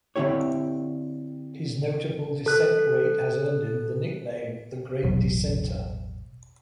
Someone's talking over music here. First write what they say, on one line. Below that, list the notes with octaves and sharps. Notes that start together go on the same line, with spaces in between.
His notable dissent rate has earned him the nickname the "Great Dissenter".
D3 C4 E4 G4 C#5
A4 F#6
E1 A1 B2 F#3